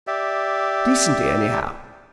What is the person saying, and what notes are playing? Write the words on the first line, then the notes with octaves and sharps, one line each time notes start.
Decently, anyhow.
G4 D5 E5